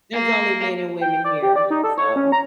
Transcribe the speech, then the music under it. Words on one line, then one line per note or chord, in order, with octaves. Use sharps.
There's only men and women here. So
A#3
G5
D5
G4
D5
D#4
A4
C#5
C#4
A#5